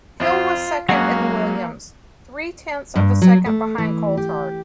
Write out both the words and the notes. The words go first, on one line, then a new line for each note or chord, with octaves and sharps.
Hill was second in the Williams, three-tenths of a second behind Coulthard.
F2 C4 F4 C5
F2 F#3 G#3 A#3 C#4 F#4 F#5
G2
F#3
A3
E3
G4